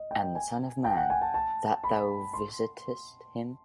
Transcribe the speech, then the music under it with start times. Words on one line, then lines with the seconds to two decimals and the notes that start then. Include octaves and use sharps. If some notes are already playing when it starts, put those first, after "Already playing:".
And the son of man, that thou visitest him?
Already playing: D#5
0.11 G5
0.35 G#5
0.85 G5
0.97 F#5
1.10 G#5
1.21 A5
1.34 A5
1.84 B5
2.33 C6